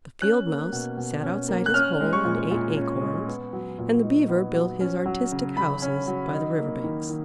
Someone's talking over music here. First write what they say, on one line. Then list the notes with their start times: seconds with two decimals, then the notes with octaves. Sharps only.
The Field Mouse sat outside his hole and ate acorns, and the Beaver built his artistic houses by the river banks.
0.22 C#4 F#6
0.47 A#3
0.72 B2
0.97 B2
1.23 C#4
1.49 A#3
1.66 F#6
1.74 C#4 F6
2.00 G#3
2.13 C#6
2.25 A#2
2.51 A#2
2.77 C#4
3.01 G#3
3.28 B3
3.53 F#3
3.78 A#2
4.03 D#4
4.29 B3
4.54 F#3
4.80 C#4
5.06 F#3
5.32 C#3
5.57 C#3 B5
5.82 C#4
6.08 F#3
6.33 D#4
6.59 A#3
6.84 D#3
7.09 D#3